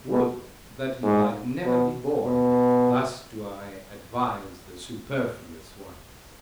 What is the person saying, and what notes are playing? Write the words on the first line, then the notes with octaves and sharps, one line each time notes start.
Would that he might never be born!--Thus do I advise the superfluous ones.
B2
G#2
B2
B2